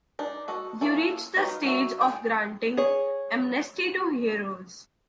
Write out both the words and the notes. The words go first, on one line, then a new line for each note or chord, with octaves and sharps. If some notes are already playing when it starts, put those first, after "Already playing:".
You reach the stage of granting amnesty to heroes!
D4 D#4
F#4 A4 D#5
A#3 C#4 E4 A4
F#3 B3 D#4 F4
F#3 A3 D#4 F#4 E5
G#4 G5
G#4 C#5